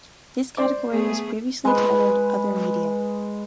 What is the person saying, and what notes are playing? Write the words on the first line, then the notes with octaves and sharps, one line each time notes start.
This category was previously titled "other media".
C5 D5 D6
A3 B3 G#4
G#3 B4